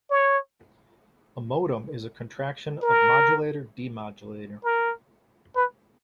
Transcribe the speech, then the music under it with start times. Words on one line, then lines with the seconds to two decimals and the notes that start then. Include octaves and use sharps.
A modem is a contraction of "modulator-demodulator".
0.10 C#5
2.82 A#4
4.64 A#4
5.55 B4